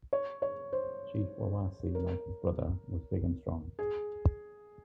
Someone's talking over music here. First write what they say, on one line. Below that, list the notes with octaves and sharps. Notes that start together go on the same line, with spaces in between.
Chief Wawasee, like his brother, was big and strong.
C#5
C#5
C5
A#4
G#4